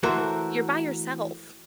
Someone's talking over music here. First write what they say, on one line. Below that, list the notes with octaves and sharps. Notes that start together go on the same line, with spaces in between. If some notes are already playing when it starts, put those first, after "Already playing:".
you're by yourself.
E3 A3 F#4 A4 A#4 C5